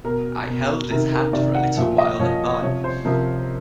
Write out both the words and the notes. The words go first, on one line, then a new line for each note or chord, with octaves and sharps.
I held his hand for a little while in mine.
B2 A#4
B2
C3 D#3 A#4
A#4
C3 D#3 D5
F#5
A#2 F3 E5
D#5
A#2 F3 C#5
C3 F3 C#5
C5
C3 F3 A#4